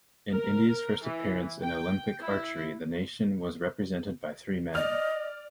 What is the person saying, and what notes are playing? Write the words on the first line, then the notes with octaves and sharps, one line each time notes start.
In India's first appearance in Olympic archery, the nation was represented by three men.
A#4
E3
G5
E4
D5 D#5 F6